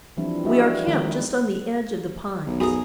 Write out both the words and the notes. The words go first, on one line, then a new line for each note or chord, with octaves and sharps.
We are camped just on the edge of the pines.
E3 F3 G3 C4 D4 E4
G3 A3 F#4 G#4 D#5 E5
D#3 F3 G#3 E4 A#4
B1
F#2 G#4 A#5 D#6